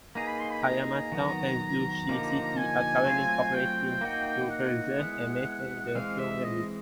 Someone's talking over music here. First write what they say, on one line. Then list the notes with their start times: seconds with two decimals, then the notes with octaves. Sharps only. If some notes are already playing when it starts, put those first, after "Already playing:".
Hayama Town and Zushi City are currently cooperating to preserve and maintain the tumuli.
0.15 A#3 D#4 G#4 B4 A#5
0.27 B5
0.40 C6
0.52 B5
0.63 A#5
1.12 D#3 F#3 B3
2.09 D3 F3 A#3 D#4 G4
2.57 G#5
3.05 F#3 A3 C4 F4
3.54 G5
4.01 A#3 D#4 F#4
4.50 F#5
4.98 G#3 B3 E4
5.95 E3 G#3 C4 F5
6.19 E5
6.44 D#5